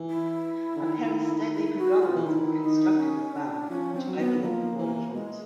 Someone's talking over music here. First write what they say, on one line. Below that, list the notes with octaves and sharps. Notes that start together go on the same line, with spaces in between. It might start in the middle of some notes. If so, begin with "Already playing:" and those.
A pair of stately pergolas were constructed as well, which overlook the waterfront.
Already playing: E3
E4
D3
D#3
E4
F#4
F4
E3
D#3 E4
D#4
C#4
D4
F3 C#4
C4
F#3
B3
F3 A#3
E3
G#3